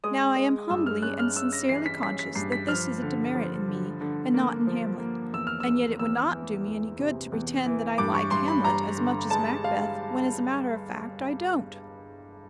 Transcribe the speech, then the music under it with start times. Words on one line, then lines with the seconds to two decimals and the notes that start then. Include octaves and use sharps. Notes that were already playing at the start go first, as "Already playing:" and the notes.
Now I am humbly and sincerely conscious that this is a demerit in me and not in Hamlet; and yet it would not do me any good to pretend that I like Hamlet as much as Macbeth when, as a matter of fact, I don't.
0.04 G#3 D#6
0.36 G#3
0.70 G2 E6
0.86 F6
1.02 C#4 F#6
1.19 F6
1.36 C#4 E6
1.53 A#6
1.69 E3 C7
1.86 B6
2.02 C#4 B6
2.19 B6
2.35 G2 C7
2.52 B6
2.68 F3 F6
3.02 D3
3.35 F3
3.68 D3
4.01 D3
4.34 A#3
4.67 F3
5.00 A#3
5.33 E2 E6
5.47 F6
5.60 E6
5.67 E2
5.99 E2 E6
6.33 E3
6.66 E2
6.99 C3
7.32 E2
7.66 E3
7.98 G2 D6
8.15 C#6
8.31 G2 C6
8.48 B5
8.64 G2 A#5
8.97 D3
9.30 G#3 A5
9.64 G#3 F5